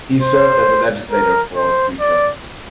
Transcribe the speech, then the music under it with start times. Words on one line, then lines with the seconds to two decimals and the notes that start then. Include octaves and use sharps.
He served as a legislator for three terms.
0.22 C5
1.11 A#4
1.56 C5
2.00 D5